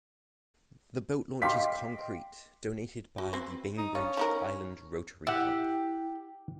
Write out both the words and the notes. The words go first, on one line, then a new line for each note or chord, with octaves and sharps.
The boat launch is concrete, donated by the Bainbridge Island Rotary Club.
D#5 F5 G5 C6 D6 B6
F#4
C4 B4 C5
D#4
C#4 D4 F4 C#5
F3 D#4 A#4
E4 G4 E5 F#5